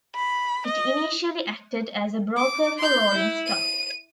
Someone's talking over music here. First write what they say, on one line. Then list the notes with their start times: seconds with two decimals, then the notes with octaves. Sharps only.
It initially acted as a broker for rolling stock.
0.15 B5
0.67 D#5
2.37 D6
2.78 C6 G6
3.15 E4
3.46 D#7